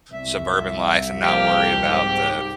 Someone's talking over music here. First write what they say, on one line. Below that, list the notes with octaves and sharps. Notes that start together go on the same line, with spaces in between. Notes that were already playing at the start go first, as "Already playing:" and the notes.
suburban life and not worry about the
C2 E5
F3 A#3 G4 F6
G#2